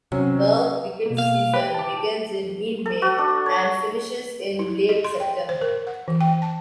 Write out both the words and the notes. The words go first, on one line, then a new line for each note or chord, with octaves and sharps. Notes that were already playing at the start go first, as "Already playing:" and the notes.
The cricket season begins in mid May and finishes in late September.
C3 F#3 C#4
B2 A#3
F5
G4 B4
A5 D6
A4
F#4
D4
C#5
E4
D#5
C6
G5
C5
A#4
F#5
E3
G5
A5